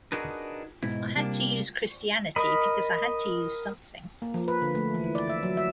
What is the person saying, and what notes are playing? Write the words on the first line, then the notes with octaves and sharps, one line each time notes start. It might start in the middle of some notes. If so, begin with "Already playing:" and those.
I had to use Christianity because I had to use something.
D4 D#4 F#4 G#4 A#4 B4
G#2 B2 E4
C3 G3 A#3 D4
A#4 D#5 B5
A#3
F3
B4
D3
A3
E3
D5
E5
F#3
E5